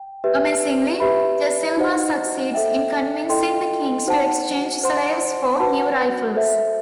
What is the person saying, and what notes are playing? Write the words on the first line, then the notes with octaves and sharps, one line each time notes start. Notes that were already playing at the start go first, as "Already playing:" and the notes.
Amazingly, da Silva succeeds in convincing the King to exchange slaves for new rifles.
Already playing: G5
G4 B4 E5
G4 B4 E5 B5
D#4 F#4 C5 D#5 F#5
A4 E5 G5
E4 A4 D#5 G5 C6
D#4 F#4 C5 F#5 A5
C5 F#5 C6
F#4 B4 F#5 A5
A4 C5 E5